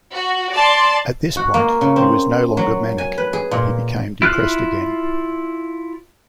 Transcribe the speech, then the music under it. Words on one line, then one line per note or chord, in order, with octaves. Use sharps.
At this point, he was no longer manic, but he became depressed again.
F#4
D5 A5 C6
F#4
A#3
C#3
C4
F#3
G#5
B4
G#4
A#2
E4 F4 F6 F#6